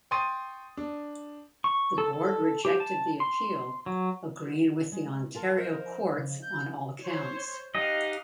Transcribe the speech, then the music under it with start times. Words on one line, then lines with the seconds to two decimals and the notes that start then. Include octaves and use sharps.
The Board rejected the appeal, agreeing with the Ontario courts on all counts.
0.11 G5 C6 C#6 D#6 A6 D#7
0.77 D4
1.64 C#6
1.98 A4
2.13 A4
2.65 G4
2.80 A5
3.20 C6
3.86 F#3
4.92 G#3
5.35 F4 A#4 A5
5.57 F3 A#4 C5 D#5
6.18 C#3
6.42 G6
7.03 C5 C#5
7.75 D#4 G4 D#5 F5 F#5